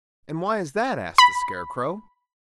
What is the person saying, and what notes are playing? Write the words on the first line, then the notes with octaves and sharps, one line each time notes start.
"And why is that?" asked the Scarecrow.
B5